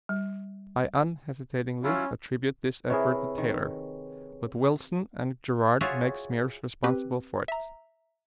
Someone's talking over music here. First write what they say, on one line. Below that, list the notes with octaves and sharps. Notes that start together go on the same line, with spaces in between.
I unhesitatingly attribute this effort to Taylor, but Wilson and Garrard make Meares responsible for it.
G3
F#3 C#4 E4 F4
C3 E4 G#4 A#4 B4 C#5
D#3
F4 F#4 G#4 C#5 D5 E5
C4 G4 B4
E5 A#5